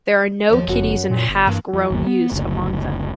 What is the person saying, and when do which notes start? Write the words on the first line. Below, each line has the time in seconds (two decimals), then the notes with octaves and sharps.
There are no kiddies and half grown youths among them.
0.49 D#2 F3
0.68 G1 F#2 F#4
1.10 A#2
1.29 G1
1.47 G2 E3 A#3
1.73 F2
1.90 G1 D#2 A#3
2.06 B3
2.32 F#1 D2